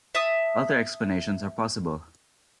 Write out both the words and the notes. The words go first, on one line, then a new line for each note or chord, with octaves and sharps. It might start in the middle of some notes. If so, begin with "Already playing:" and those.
Other explanations are possible.
E5 A5 D#6